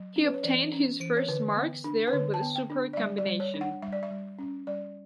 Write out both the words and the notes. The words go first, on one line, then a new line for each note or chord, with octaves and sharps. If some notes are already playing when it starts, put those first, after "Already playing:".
He obtained his first marks there with a super combination.
Already playing: F#3
C#4
B4
C#5
E3 D5
C#4
E3
C#5
D3 B4
B3
D4
B4
D3 C#5
A5
B3
G5
D4
D5
G3 E5
D5
G3
C#5
D4
F#5
G3 E5
D5
E5
G3
C#4
G3 D5